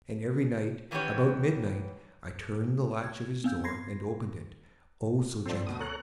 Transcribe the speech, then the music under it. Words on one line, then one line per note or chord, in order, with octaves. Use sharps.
And every night, about midnight, I turned the latch of his door and opened it--oh so gently!
D#3 E3 B3 C#4 G4 C#5
G#6
B3 C4 F5 E6 G6
B5 C6 G#6 A#6 C7
F3 C4 A4 C5 D5
D2 B2 D#6
A4 C#5 A#5 F#6